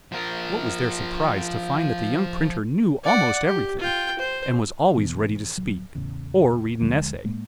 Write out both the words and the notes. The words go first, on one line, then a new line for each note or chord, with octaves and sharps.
What was their surprise to find that the young printer knew almost every thing, and was always ready to speak, or read an essay.
F3 A#4
D5 F#5
G4
F4 G5
C5
A1 B2 E3 B3
D1 G1 F#3
E2 A2 C#3
D2 D3 F3 G#3
A2 G#3 A#3